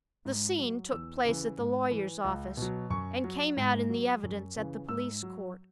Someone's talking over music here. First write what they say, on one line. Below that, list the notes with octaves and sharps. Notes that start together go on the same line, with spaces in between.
The scene took place at the lawyer's office, and came out in the evidence at the police court.
G#2
F#3
E2 E6
C#3 E3
G#2
E3
C#2
B2 F#3
F#2 C#6
F#3
G#2
F#3
F#2
C#3 E3
G#2 E6
F#3